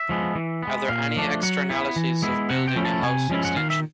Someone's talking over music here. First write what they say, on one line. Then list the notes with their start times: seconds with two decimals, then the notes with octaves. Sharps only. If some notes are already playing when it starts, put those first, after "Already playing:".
Are there any externalities of building a house extension?
Already playing: E5
0.09 F3 G#3 B3
0.35 E3
0.63 G#3 B3
0.89 A#2 F5
1.16 F3 A3 D4
1.43 F#3 F#5
1.70 B3 E4
1.96 E3
2.22 G#3 B3 E4
2.49 C3 F#5
2.68 G5
2.76 F3 A3 C#4 E4
2.85 A5
3.03 C3 G#5
3.29 F3 G#3 C#4 E4
3.45 F#5
3.56 D#3 F5
3.70 E5